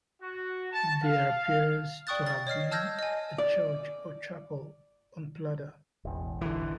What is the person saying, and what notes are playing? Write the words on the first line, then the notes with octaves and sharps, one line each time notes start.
There appears to have been a church or chapel on Pladda.
F#4
A5
F5
D5 G5 C#6 D#6 F#6 A6
A6
C#5 D#5 F6 C7
A5 E6 F6 G6 G#6 A#6
D#5 G#5
D5
E1 A1 E2
D3 E3